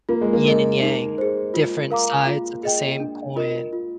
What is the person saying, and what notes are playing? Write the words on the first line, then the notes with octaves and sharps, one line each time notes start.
"yin and yang," "different sides of the same coin."
A#3 F4
G#3
A#3
A#4 D#5
D#4
G#4 C5
F4
A#4 F5 A#5 D6
F4
G#4 D#5 G5
D4
F4 A#4 D#5
F4